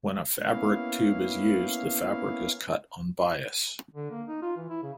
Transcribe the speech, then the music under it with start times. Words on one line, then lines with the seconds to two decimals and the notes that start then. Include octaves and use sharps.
When a fabric tube is used, the fabric is cut on bias.
0.45 A#3 B3 C#4 E4 F5
3.94 D3
4.11 A#3
4.28 D#4
4.42 F4
4.57 E3
4.69 E4
4.83 C#3